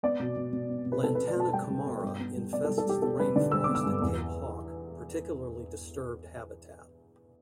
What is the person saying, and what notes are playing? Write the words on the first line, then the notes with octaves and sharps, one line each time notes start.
"Lantana camara" infests the rainforest at Cape Hawke, particularly disturbed habitat.
B3 D5
B2
B2
B2
B3
B2
B4
B3 A4
B4
B3
D5
B2 A5
G3 G5
G3
B2
G2
B3
G3
B3 D5
G3 A4
A4
G3 G4
B3 A4
G3 B4
D3 D5
G3 E6
B3 D6
E6
G2
E2